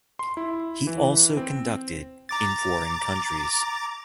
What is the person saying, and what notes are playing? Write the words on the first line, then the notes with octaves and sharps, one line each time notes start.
He also conducted in foreign countries.
C6
E4
E3
C4
A#5 D6 A6